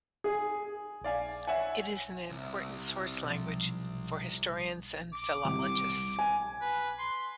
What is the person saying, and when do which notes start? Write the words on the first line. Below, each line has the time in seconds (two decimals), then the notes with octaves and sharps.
It is an important source language for historians and philologists.
0.24 G#4
1.04 D5 F5 G#5
1.47 C#5 E5 F#5 G#5
2.30 C2
3.23 B1 F3
5.13 D6
5.45 C2
6.19 G#5
6.61 B4
6.99 C6